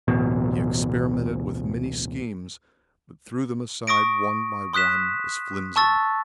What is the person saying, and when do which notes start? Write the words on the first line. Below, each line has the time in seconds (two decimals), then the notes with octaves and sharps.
He experimented with many schemes, but threw them aside one by one as flimsy.
0.08 D1 A1 B2
3.87 C#6 D#6 A#6 D7
4.73 C6 D#6 F#6 B6 E7
5.76 A5 C#6 E6 A6